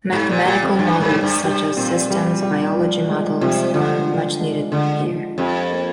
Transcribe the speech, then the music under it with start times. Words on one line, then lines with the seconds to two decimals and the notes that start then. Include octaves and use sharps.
Mathematical models, such as systems biology models, are much needed here.
0.13 G#2 G4
0.29 A#2
0.45 A#2 G4
0.63 F2
0.79 G2 G3
1.00 G#2
1.11 G3
1.23 G2
1.44 G2 G4
1.77 A#2 C4
2.10 G3
2.43 G3
2.75 F3
3.08 G#3
3.41 C3 F3
3.74 D3 F3
4.07 F3
4.39 G#3
4.72 D3 G#3
5.05 F3
5.38 F2 G4
5.71 A#3